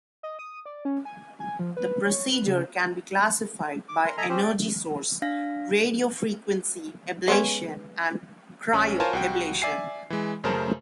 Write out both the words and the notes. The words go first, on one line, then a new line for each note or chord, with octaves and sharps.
The procedure can be classified by energy source: radiofrequency ablation and cryoablation.
D#5
D#6
D5
C#4
G#5
G#5
F3
B4
C#5
B4
C#3
D6
A#4 C6
A4 D#5 E5 G#5 A#5
C4 C#4 G4 C5
D5 G5
D4 F5 A#6
G#3 B3 C#4
A#1 C#4
F4 A#4 C5 C#5 G#5 A5
C2 F#4 G5
D5 E5 G#5 C7
E3 G#3
F#2 C#3 A3 A#4 C5 A5